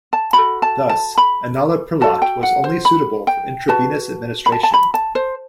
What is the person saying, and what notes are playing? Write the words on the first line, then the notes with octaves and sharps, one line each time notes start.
Thus, enalaprilat was only suitable for intravenous administration.
A5
F#4 A4 B5
A5
A5
B5
F#4 A4 A5
G5
F#5
C5
B5
G5
F#4 B4 A5
B5
A5
A5
B5
A5
C5